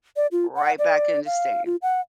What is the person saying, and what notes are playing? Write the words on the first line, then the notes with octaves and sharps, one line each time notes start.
right back into staying.
D5
F4
F#5
D5
F5
F4
F#5